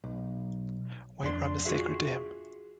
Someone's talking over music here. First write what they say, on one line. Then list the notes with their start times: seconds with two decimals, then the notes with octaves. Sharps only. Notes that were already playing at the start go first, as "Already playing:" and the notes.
White rum is sacred to him.
0.04 B1
1.23 F2 D4 C6
1.65 F4 F#4 G#4 E5